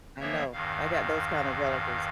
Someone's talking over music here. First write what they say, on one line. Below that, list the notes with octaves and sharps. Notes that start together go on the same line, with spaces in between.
I know. I got those kind of relatives
E3 F3 A#3 B3 C#5 E5
E2 G2 D#3 F5